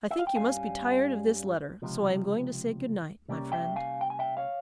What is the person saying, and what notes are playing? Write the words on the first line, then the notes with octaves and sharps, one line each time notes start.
I think you must be tired of this letter, so I am going to say good-night, my friend.
E5
F5
G5
G2 G3 C#4 F5 G#5
C#2 C3 F3
C3 G3 A#3 C#4
E5 G5
F5 G#5
G5
G#5
E5 G5
C#5 F5